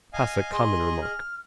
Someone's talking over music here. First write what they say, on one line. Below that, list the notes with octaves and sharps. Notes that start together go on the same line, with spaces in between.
Pass a common remark.
D#5 F5 G#5
G#4 D#5 C6
F6